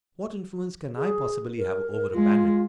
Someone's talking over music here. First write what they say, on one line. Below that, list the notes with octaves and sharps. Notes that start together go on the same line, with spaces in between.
"What influence can I possibly have over a bandit?"
G#4
A#4
G#3 F4